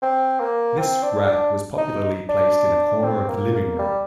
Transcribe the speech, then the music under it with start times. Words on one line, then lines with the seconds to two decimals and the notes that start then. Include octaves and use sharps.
This rack was popularly placed in a corner of the living room.
0.02 C4
0.40 A#3
0.78 C4
1.03 D4
1.27 D4
1.77 D#4
2.29 D4
3.03 C4
3.29 A#3
3.54 A#3
3.79 G3